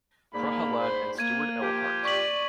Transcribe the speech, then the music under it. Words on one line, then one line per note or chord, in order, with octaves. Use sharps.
Prahalad and Stuart L. Hart.
G#2 A#3 D5 B5
C5
A#3 G#6 D#7
F3 F4 G4
D5 C#6 B6 F#7